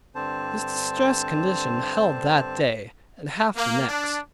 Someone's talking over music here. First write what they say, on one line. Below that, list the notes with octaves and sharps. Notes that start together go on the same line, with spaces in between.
This distressed condition held that day, and half the next.
G2 D3 C4 C5 A5
A#3
D4